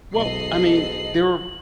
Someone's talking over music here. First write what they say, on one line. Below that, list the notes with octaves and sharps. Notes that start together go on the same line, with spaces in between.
Well, I mean, there
B1 G#2 B2 A4 D#5 C7 F#7